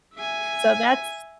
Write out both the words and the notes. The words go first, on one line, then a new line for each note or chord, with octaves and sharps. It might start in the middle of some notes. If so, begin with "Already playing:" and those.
so, that's
E5 G#5